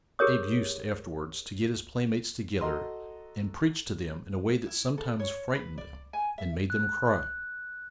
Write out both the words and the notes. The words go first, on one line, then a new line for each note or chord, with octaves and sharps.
Abe used afterward to get his playmates together and preach to them in a way that sometimes frightened them and made them cry.
G4 G#4 A#4 C#5 D#6
F#4 A4 D#5 A#5 C6
E4
A4
C#5
B4
D5
G#5
E5
F#6